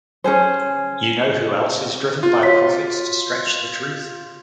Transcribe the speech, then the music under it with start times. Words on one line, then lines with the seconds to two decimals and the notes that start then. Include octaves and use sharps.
You know who else is driven by profits to stretch the truth?
0.24 C#4 D4 G#4 C5
2.23 F4
2.43 F#4 C#5 B6